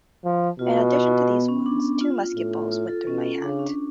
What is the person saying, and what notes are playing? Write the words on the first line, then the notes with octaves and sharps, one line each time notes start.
In addition to these wounds, two musket balls went through my hat.
F3
B2 F4
B3
C#4
D4
F4
A2
F4
A4
B2 C#4
C#3 D4
C#4